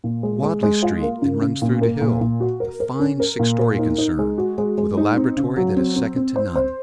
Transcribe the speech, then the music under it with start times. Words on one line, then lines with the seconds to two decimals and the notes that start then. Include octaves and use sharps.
"Wadley street and runs through to Hill--a fine six-story concern, with a laboratory that is second to none."
0.04 A#2
0.23 G#3
0.43 G#3
0.63 G#3
0.83 F4
1.02 A#3
1.22 C#3
1.41 C#3
1.62 A#2
1.82 A#3
2.01 A#2
2.21 A#2
2.40 F#4
2.60 A#4
2.80 A#4
3.00 C#4
3.20 A#4
3.39 A#2
3.59 A#4
3.79 D#4
3.98 D#4
4.19 G#3
4.38 F#4
4.58 G#3
4.78 G#3
4.97 D#4
5.17 C4
5.37 C#3
5.57 F#3
5.76 C4
5.96 C4
6.16 C4
6.36 C5
6.56 C5